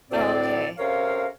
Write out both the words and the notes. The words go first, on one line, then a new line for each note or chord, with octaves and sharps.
Oh, okay.
D2 A2 C4 D5
D2 C3 C#4 A#4 C#5 F5